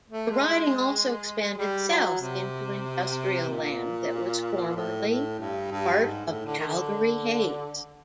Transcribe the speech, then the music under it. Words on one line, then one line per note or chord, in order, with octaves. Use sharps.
The riding also expanded south into industrial land that was formerly part of Calgary-Hays.
A3
G#3
G3
F#3
C3
A#2
A2
A2
G2
G2
G#2
A2
D3
D#3
D3